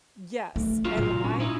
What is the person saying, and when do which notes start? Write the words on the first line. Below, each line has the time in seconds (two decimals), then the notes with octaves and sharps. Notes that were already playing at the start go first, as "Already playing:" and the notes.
Yes, and I
0.56 A3
0.85 F#3 G#3 F4
0.97 A#2
1.24 C#4
1.40 D#4 E4